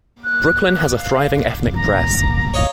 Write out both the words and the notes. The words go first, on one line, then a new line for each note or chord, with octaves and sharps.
Brooklyn has a thriving ethnic press.
F#6
F5
A#5
C#5 D#5 F5